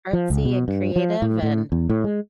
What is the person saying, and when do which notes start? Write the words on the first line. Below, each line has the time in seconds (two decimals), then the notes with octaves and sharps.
artsy and creative, and,
0.13 F3
0.30 C#2
0.45 B2
0.68 G2
0.96 F3
1.22 A2
1.43 A2
1.72 E2
1.90 A2
2.04 G#3